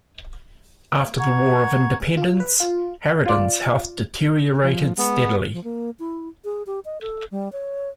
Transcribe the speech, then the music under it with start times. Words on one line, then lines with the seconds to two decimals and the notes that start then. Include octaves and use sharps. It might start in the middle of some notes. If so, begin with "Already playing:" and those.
After the War of Independence, Haraden's health deteriorated steadily.
1.19 F#5 A#5 C#6 G#6
2.17 F4
2.40 B4
2.60 F4
3.26 F4 D5
4.64 F3
4.98 G#3 B3
5.53 F3
5.64 A#3
5.99 E4
6.45 G#4
6.66 G4
6.85 D#5
7.01 A4
7.31 G3
7.52 C#5